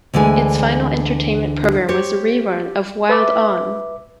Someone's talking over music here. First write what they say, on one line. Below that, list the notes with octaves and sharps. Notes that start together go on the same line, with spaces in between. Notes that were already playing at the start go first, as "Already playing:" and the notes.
Its final entertainment program was a rerun of Wild On!
D2 D3 E3 G#3 G#5
G4 C5 C#5
B4 E5 D6